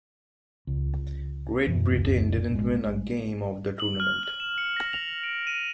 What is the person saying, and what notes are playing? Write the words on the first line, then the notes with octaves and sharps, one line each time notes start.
Great Britain didn't win a game of the tournament.
C#2
F#2 B2 E3
E1 C#2 F#2 A#3
A1 G#3
F#7
F6
F#7
E7
C#7
A#6
F7
D7
D#7